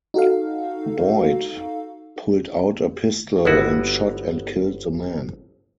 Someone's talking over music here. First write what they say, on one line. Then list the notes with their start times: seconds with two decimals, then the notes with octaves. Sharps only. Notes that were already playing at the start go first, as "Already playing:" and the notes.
Boyd pulled out a pistol and shot and killed the man.
0.14 D#4 F#4 A4 F5
3.45 G1 B3 E4 F#4